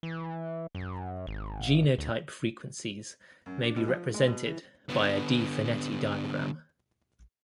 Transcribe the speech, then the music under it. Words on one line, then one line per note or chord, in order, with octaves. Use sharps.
Genotype frequencies may be represented by a De Finetti diagram.
E3
F#2
G#1
D2
F#2
D4
B2
F3
G#3
B2
E3
D3 B3